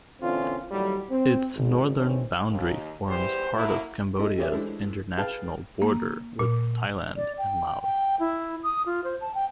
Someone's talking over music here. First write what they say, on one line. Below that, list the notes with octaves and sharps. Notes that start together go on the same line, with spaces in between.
Its northern boundary forms part of Cambodia's international border with Thailand and Laos.
A#2 D3 E3 C4 C#4 F4
D#2 A2 F#3 G3
C4
G#1
E2 G2 D#3 E3 C4 C#4
D#2
E2 E3 G3 G4 C5
F#3 A3 A#3 C#4 E4
A3 E4 D#5
G4 G#4 C#5 D5 E5
E3 G#3 A3 D4 E4 C5
G#4 B4 F5 G5 A5
A#3
A#2
D5
G5
G5
E4
D#6
F4
C5
A5
G5